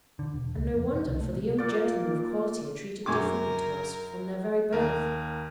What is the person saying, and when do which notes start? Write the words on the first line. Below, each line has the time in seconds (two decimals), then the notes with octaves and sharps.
And no wonder, for the young gentlemen of quality are treated differently to us from their very birth.
0.19 D3
0.33 E1
0.55 C#2
0.75 F2
0.92 C3
1.07 C2
1.21 A3
1.33 C3
1.58 A#2 D5
3.06 F#2 D4 G#4 A#4 G#5 C#6 D6
4.73 D#2 A#4